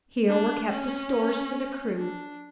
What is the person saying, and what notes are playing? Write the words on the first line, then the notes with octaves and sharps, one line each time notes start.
Here were kept the stores for the crew.
D4
C#4
D4